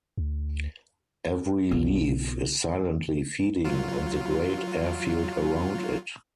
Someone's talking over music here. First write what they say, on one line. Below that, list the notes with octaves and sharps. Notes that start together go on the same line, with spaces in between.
Every leaf is silently feeding on the great airfield around it.
D2
B1 F4
F#3 F4